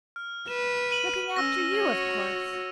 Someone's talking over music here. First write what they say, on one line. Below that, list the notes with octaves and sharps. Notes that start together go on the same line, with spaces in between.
"Looking after you, of course."
F6
B4 E7
D#7 F#7
C#4 E6 A#6
F#4 C#5